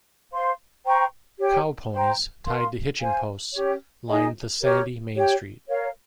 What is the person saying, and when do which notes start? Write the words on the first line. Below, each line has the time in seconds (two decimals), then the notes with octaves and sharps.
Cow ponies, tied to hitching posts, lined the sandy Main Street.
0.31 C5 F5 C6
0.85 C5 G5 A#5 C#6
1.38 G4 C#5 G5
1.92 C5 G5 A#5
2.46 A#4 F5 C6
2.99 C5 F5 G#5
3.52 C#4 G4 C#5
4.07 D#4 G#4 D#5 G#5
4.61 G4 A#4 C#5
5.14 G4 C#5 G5
5.68 A#4 C#5 F5